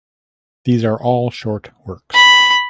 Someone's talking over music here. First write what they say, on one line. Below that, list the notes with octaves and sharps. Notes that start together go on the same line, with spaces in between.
These are all short works.
B5